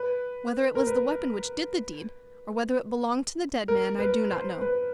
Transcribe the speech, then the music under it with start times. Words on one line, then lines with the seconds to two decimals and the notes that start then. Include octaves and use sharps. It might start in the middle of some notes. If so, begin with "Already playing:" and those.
Whether it was the weapon which did the deed, or whether it belonged to the dead man, I do not know.
Already playing: B4
0.75 A#4
0.87 B4
3.68 A#4
3.99 B4
4.31 C5
4.62 B4